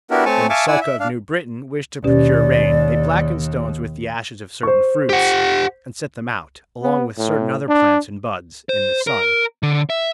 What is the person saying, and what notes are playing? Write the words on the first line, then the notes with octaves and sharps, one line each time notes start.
When the Sulka of New Britain wish to procure rain they blacken stones with the ashes of certain fruits and set them out, along with certain other plants and buds, in the sun.
B3 D4 E4 F#4 G4 A#4
A3 C4 C#5 G#5 A5 C#6
E5 F5 G#5 A5 C#6 D6
E4 D5 F#5 G#5 E6
E5
D4 F5
D#2 B2 C#4 G4 D5
C5 C#6
G4 F#5
B3
A2
D4
C5
A#4
D3
E5